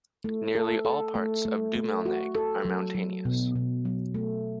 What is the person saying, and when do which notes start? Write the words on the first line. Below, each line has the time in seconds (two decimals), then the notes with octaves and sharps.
Nearly all parts of Dumalneg are mountainous.
0.24 A3
0.55 A4
0.85 A4
1.15 A3
1.45 A3
1.75 A3
2.06 F#4
2.35 A4
2.65 F#3
2.95 F#3
3.25 B2
3.56 B2
3.85 F#3
4.14 A3